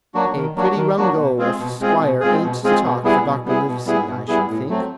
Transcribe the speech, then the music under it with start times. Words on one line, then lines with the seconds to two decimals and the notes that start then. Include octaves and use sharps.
"A pretty rum go if squire ain't to talk for Dr. Livesey, I should think."
0.14 F#3 A#3 D4 F#4
0.36 D#3
0.56 F#3 A#3 D4 F#4
0.76 D#3
0.98 F#3 A#3 D4 F#4
1.18 B2
1.38 G#3 C4 F4 G#4
1.59 B2
1.80 G#3 C4 F4 G#4
2.00 B2
2.21 G#3 C4 F4 G#4
2.42 B2
2.63 G#3 C4 F4 G#4
2.83 B2
3.04 G3 B3 E4 G#4
3.25 B2
3.46 G3 B3 E4 G#4
3.67 B2
3.86 G3 B3 E4 G#4
4.07 B2
4.28 G3 B3 E4 G#4
4.48 A2
4.69 F#3 A3 C4